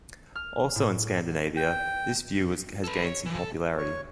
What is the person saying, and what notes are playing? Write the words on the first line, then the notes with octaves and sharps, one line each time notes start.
Also in Scandinavia, this view has gained some popularity.
F6
A2
G5
A4 B4
C#5
E3 F3
A4
C#5